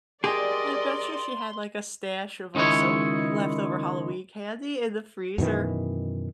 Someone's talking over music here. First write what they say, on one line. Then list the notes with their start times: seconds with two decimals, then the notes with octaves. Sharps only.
I bet you she had, like, a stash of, like, some l leftover Halloween candy in the freezer.
0.24 G4 G#4 A#4 D5 D#5 C6
2.55 C#2 D#3 G#3 E4 C#5
5.38 F#2 B2 D#3 E3